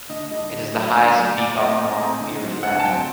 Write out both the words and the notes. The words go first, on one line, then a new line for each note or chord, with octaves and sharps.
It is the highest peak of North Peary Land.
D3 D#5
G3 D4 D#5
D3
F#3 A3
D3
F#3 A3
A#2 D5
A3 C4 D#5
A#2
A3 C4
D3
F#3 C4
D3 F#5
A5
F#3 C4 G5